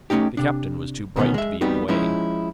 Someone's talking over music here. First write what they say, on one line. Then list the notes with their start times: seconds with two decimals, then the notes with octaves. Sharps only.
The captain was too bright to be in the way.
0.10 A3 A#3 C#4 D#4 G4
0.37 C3 D4
1.16 D2 B2 D#3 G3 B3 C#4
1.34 G#3 E5
1.61 G3 B3 C4 D#4 F#4
1.88 F3 G#3 C#4 D#4 E4